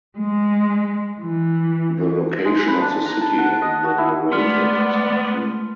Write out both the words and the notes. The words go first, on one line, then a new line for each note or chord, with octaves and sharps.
The location of the city in the narrative is unclear.
G#3
E3
G#3
B4
D4
A#5
A5
F#5
D#5
F#4
E4
G#3 A3 B3 D5 C6 F6